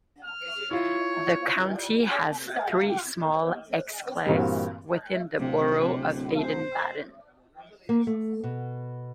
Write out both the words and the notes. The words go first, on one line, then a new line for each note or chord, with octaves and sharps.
The county has three small exclaves within the borough of Baden-Baden.
F6
E4 F4 C#5
G2 A#2 E3 A#3 C4 F#4
D1 C3
C5
A#3
A3
B2